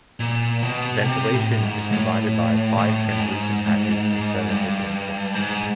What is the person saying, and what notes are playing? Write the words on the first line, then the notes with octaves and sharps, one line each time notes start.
Ventilation is provided by five translucent hatches and seven opening ports.
A#2
B2
C3
A2
G#2
A2
A2
A2
G#2
G2
G#2